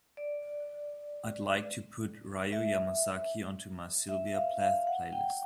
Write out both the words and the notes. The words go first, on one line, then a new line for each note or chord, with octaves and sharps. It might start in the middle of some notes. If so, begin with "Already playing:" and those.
I'd like to put Ryō Yamazaki onto my sylvia plath playlist.
D5
E5
E5
E5
F5
F5
F#5
G5